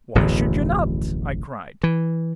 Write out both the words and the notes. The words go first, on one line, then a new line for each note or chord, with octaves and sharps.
"Why should you not?" I cried.
D1 A1 F2 B2
E3